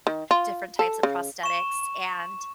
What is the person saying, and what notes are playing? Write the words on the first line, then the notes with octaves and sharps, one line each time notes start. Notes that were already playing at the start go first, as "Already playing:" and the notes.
different types of prosthetics and,
D#3
F4
A4
C#3
C#6 E7